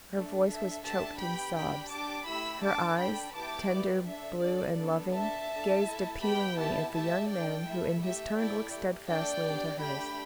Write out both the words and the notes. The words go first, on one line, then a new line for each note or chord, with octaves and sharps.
Her voice was choked in sobs, her eyes, tender, blue and loving, gazed appealingly at the young man, who in his turn looked steadfastly into hers.
A3 D4 A4
D4 A4 E5
A3 D4 G4 E5 A5
B3 G4 G5 B5
D4 G4 G5 B5
D4 G4 A5 D6
A3 E4 G4 B5 E6
D4 A4 A5 D6
D4 A4 G5 B5
B3 E4 G4 A5 D6
B3 G4 D5
D4 A4 E5
D4 A4 D5
B3 D4 A4
D4 A4 E5 A5
D4 A4
A3 E4 A4
B3 G4 G5 B5
B3 E4 G4 E5 A5
A3 G4 E5 A5
D4 A4 D5 G5
A3 E4 A4 E5
A3 G4 E5
A3 E4 A4 D5 G5
A3 G4
A3 D4 A4 D5 G5
B3 D4 G4
A3 D4 G4 G5 B5